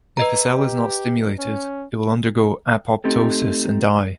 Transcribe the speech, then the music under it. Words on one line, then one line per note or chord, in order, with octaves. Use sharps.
If a cell is not stimulated, it will undergo apoptosis and die.
B4 D#5 A#5
G4
C#4
A3 C4 D#4 G4 A4